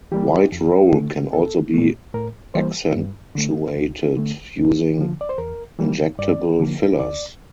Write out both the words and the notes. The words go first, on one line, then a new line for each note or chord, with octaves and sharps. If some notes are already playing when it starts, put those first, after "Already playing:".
White roll can also be accentuated using injectable fillers.
E3 G3 A#3 G4
F2
D3 A3
C2 A4
A#2 A3
A2 A#4
E3 G3 A#3 C5
G2
D3 A3
D2
D3 A3
D2
D3 F3
D5
C5
E2 A#4
E3 G3 A#3
G2 D5
D3 F3 A#3
D2 D5